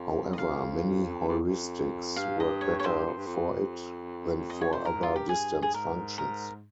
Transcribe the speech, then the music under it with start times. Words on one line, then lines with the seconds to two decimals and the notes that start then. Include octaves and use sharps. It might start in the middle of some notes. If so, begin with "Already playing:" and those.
However, many heuristics work better for it than for other distance functions.
Already playing: F2
0.33 D#5
0.38 F5
1.28 F2
1.48 F2
2.16 G2 F5
2.40 D#5
2.61 C#5
2.80 C#5
2.84 C5
3.07 F2
3.17 G2
3.26 F2
4.50 D#5
4.61 C#5
4.73 C5
4.85 G2 A#4
4.95 G#2
5.03 G2 F4
5.16 G4
5.29 G#4
5.62 G#4
5.74 G#2 A#4
6.18 A#4